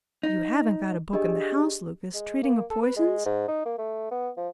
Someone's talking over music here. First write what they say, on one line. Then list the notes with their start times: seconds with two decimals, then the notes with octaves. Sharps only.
"You haven't got a book in the house, Lucas, treating of poisons?"
0.23 D#4
1.13 D4 G4 G#4 D#5
2.14 G#3
2.43 A#3
2.71 A4
2.83 B4
2.96 G#3
3.26 G#2
3.48 D#4
3.65 A#3
3.78 A3
4.11 B3
4.37 F3